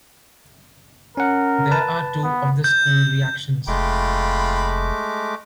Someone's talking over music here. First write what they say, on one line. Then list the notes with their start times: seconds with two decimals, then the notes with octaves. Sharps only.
There are two of this school reactions.
1.17 C#4 A#4 F#5
1.71 B4 A5
2.23 B3
2.64 G6
3.68 F1 G#3 A3 F4 G5 B5 D6